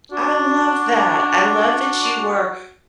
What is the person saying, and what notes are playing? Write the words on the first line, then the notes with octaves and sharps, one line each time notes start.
I love that I love that you were
D4 F#4